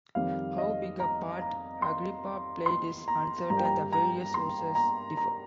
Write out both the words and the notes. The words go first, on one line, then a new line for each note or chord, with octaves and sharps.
How big a part Agrippa played is uncertain; the various sources differ.
F2 D#3 G3 C4 F5
D#5
A#5
A#5
C6
C6
A#5
G2 G3 A#3 A#5
G5
A#5
A#5
C6
A#5
A#5